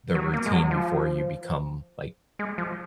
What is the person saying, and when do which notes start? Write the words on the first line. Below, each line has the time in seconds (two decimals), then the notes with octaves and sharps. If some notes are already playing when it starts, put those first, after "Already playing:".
the routine before you become, like,
0.15 F#3
0.34 A#3
0.46 G#3
0.53 F#3
0.71 F3
2.39 G#3
2.58 F3